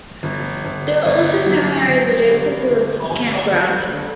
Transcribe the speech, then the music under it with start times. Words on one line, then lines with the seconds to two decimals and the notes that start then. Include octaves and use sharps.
There are also swimming areas adjacent to the campground.
0.23 G1
0.65 G1
1.06 G1
1.46 F#3
1.88 G1
2.28 G2
2.70 G1
3.11 G1
3.51 D2
3.91 D3